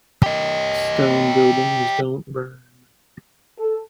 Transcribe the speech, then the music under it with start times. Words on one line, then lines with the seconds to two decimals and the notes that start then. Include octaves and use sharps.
Stone buildings don't burn.
0.23 G4 D#5
3.59 A4